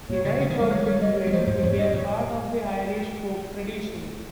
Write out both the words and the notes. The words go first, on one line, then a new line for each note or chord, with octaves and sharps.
The Night of the Big Wind became part of Irish folk tradition.
A#2 C#5
C#3 C#5
C#3
D#3
A#4
G3
G#3 C#5
G3 C#5
G3 D#5
C#5
G3
F3 C5
G#2 C5
F2 C#5
G2 D#5
A#2 C#5